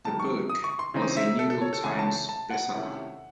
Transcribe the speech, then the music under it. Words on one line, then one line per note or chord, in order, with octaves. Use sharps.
The book was a "New York Times" bestseller.
G#2 D#3 F#3 A5
C#6
D#6
C#6
C6
C#3 E3 C4 D#4
E5
A4
A4
C#5
A4
C#2 C#3 E3 A3 C#4 G#5
A5
A5
F#5
C3 D#3 A3 C#4 E4